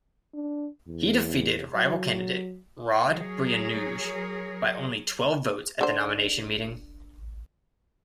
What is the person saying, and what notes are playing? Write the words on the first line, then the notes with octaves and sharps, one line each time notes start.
He defeated rival candidate Rod Bruinooge by only twelve votes at the nomination meeting.
D4
E2
F#3
F#3 G#4 A#4 C#5
D3 C5